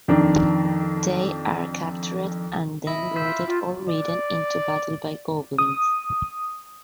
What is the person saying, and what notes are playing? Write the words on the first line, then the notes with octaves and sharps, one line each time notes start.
They are captured and then goaded or ridden into battle by goblins.
F2 D#3 D4
E4 D#5
F4 C5 E5
F4 G4
D5
D#6